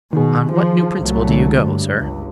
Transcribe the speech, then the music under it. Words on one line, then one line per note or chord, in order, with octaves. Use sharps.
"On what new principle do you go, sir?"
B2 D#3 G#4
F3
C2 F#3 A3
D3 G#3
G2
G1 C#2